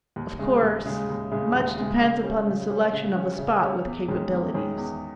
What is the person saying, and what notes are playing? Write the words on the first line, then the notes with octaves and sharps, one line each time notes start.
Of course, much depends upon the selection of a spot with capabilities.
D#2
C#3 G#3
D#2
C#3 G#3
D#2
C#3 G#3
D#2
G#3
C#3
C#3
G3 C#4
C#3
G3 C#4
C#3
G3 C#4
C#3
G3 C#4
E2
D#3 G#3 C#4
E2
D#3 G#3 C#4
E2